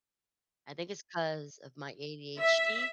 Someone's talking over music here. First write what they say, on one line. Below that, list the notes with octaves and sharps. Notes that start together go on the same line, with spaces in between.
I think it's 'cause of my ADHD
E5